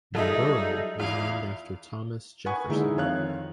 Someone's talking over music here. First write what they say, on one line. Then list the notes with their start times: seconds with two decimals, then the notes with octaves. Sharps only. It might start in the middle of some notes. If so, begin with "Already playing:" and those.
The borough was named after Thomas Jefferson.
0.15 F#3 G3 D#4 F4 G#4 A4 D#5 E5
1.00 E2 E4 F4 F5
2.46 B4 F#5 G#5 C#6
2.69 D3 G#3 D#4 E4
2.96 F2 D#3 F4 C#5 F5 F#6